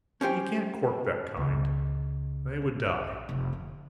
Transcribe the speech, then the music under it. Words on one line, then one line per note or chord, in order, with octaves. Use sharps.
But you can't cork that kind; they would die.
C#4 G4 C5 G5
C#2
A#1
F1
D3